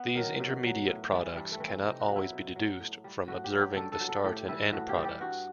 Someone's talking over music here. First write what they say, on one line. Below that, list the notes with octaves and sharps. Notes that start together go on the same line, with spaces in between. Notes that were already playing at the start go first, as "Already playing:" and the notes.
These intermediate products cannot always be deduced from observing the start and end products.
Already playing: B3
D#3 F#3
B2
F#3
A2
E3 G3
G2 G3
A3
E3 G3
C4
C3 D#4
F#4
F#3
E4
B2
F#3
A2
G3
A2 F#4
G4
F#3
G4
G2 A4
A4
F#3
A4
A2 G4
E3 G3 E4
A2 F#4
G4
E3 G3
G4
G2 F#4